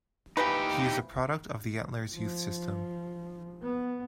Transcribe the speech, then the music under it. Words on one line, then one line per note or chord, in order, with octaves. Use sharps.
He is a product of the Antlers youth system.
E3 F3 D#4 G4 B4
F3
B3